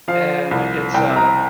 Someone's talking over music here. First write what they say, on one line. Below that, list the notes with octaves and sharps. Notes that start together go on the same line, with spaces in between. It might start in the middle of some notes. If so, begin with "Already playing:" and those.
And it's a
F3 F5
C2
C2 G5
A#5